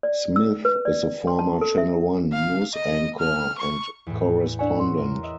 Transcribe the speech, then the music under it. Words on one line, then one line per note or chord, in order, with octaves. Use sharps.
Smith is a former Channel One News anchor and correspondent.
D5
E6
B4
D5
C6
A5
A4
E5
F5
D#5
F6
C#6
E2 A2
D4 C#5 D5 E5 F#5 G#5
C6
A#4
D#5 E5